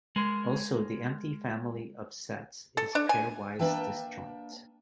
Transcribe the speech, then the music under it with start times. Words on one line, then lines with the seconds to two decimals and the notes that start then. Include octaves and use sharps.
Also the empty family of sets is pairwise disjoint.
0.16 G#3 A#4
2.77 A4
2.95 D4
3.09 G#5
3.59 A#3 D4 B4 E5 G5 A5